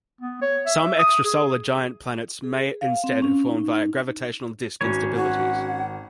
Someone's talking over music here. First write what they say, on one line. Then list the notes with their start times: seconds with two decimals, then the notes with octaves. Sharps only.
Some extrasolar giant planets may instead have formed via gravitational disk instabilities.
0.21 B3
0.42 C#5
0.66 E5
0.99 D#6
1.24 G#4
2.44 G#4
2.81 F5
3.04 C4
3.22 C#4
3.46 D#4
4.81 G#1 C#4 F#4 C#5
5.16 F#5